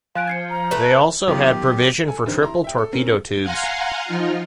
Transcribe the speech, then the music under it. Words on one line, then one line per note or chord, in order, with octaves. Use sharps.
They also had provision for triple torpedo tubes.
F3 F5 G#5 F#6 D7
G#6 C7 C#7
A#5
A3 B4
D#3 F#3 B3 F4 G4
A4 G#5
F1 D3 D#3 C5
E4 A#5 C6
E5 G5
A4
C4 C#4 A#4
F5 F#5 G#5 A#5 C6
F3 D#4 F4